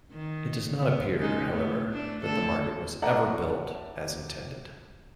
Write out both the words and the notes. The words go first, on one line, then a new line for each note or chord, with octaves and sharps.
It does not appear, however, that the market was ever built as intended.
D#3
B3
C#3 G#3 D#4
A2 B3
A3 D4
D3 A3 A4
A4 D5 E5 F#5 A5 A#5